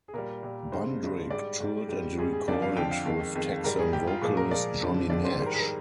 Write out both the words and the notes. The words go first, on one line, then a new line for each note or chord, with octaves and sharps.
Bundrick toured and recorded with Texan vocalist Johnny Nash.
G#4
A#2 G3 A#4
A#2 G3
G2 D3 G#3 C5
G2 D3 G#3
G#2 G3 D5
G#2 G3
G#2 G3
G#2 G3 G#4
G#4
F2 D3 F3 D5
F5
F2 D3 F3 G5
F5
F2 D#3 G#3
F2 D#3 G#3
G#2 G3 A#4
G#4
G#2 G3 G4
F4
A#2 F3 G#3 G#4
A#4
A#2 F3 G#3 D5
F2 D3 F3 G#3
F2 D3 F3 G#3 D5
C5
G#2 D#3 G3 C5
A#4
G#4
A#4